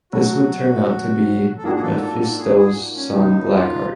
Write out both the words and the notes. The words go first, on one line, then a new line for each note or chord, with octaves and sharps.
This would turn out to be Mephisto's son Blackheart.
B2 F#3 A3 F#4
A4
G#2 F3 A#3 D4 F#4 G#4
G#4
A4
A4
A4
G#4
G#4
C#4
C#2 C3 D#3 F#3 A#3 D#4
F4